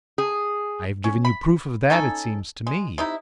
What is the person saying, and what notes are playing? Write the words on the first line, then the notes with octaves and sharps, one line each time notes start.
"I have given you proof of that, it seems to me."
G#4
C#4
B5
C#4 D#4 A4 G#5
G#3
C3 D#4 E4